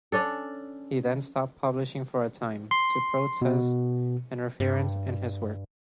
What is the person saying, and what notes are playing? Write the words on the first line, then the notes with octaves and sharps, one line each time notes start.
He then stopped publishing for a time, to protest interference in his work.
C#4 D4 A4
C6
B2
G2